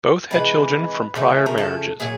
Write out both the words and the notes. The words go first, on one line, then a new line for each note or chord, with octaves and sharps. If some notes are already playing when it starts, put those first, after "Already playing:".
Both had children from prior marriages.
C3 E3 G#3 B4
C#3 F3 A3
A#4
A4
A#2 F#3 G#4